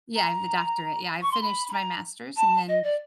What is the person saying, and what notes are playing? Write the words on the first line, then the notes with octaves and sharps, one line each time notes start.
Yeah, I have the doctorate. Yeah, I've finished my master's and then
A#5
C#6
C6
B5
B5
A#5
A5
D#5
D5